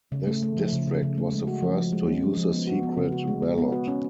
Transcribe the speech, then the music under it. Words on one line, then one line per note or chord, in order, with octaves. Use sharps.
This district was the first to use a secret ballot.
C#3
A3
A3
F3
C#3
C#3
C#3
A3
G#3
F#4
F3
F3
G#3
C#4
G#3
F3
B3
F#4
B3
C#3
F#4
G#3
B3
B3
F#4
C#4